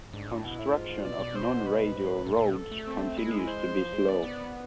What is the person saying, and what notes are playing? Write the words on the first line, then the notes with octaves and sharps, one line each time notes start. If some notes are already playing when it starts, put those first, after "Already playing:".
Construction of non-radial roads continues to be slow.
G#2 D4
A2
B2 E4
A2
G#2 F4
B2 D5
B2
C5
B4
G#2
A2
A2 A4
A2
B2
A4
A3
C4
G#3 E4
C5
F3
G#3
B3 D5
B3